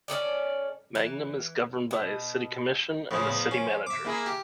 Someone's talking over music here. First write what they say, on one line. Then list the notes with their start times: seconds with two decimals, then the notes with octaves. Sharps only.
Mangum is governed by a city commission and a City Manager.
0.08 C#4 D#4 A4 D5
0.95 E3
1.91 B2
3.11 A2 C#3 F3
3.27 E2
3.51 C#4
3.87 E5 D6
4.05 A#3 E4 G#4
4.26 G4